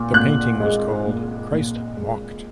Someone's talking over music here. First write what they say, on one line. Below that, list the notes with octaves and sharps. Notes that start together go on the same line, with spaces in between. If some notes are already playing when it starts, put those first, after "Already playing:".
The painting was called "Christ Mocked".
Already playing: A#2
A#2 F#6
G#3
A#2
A#2
G#3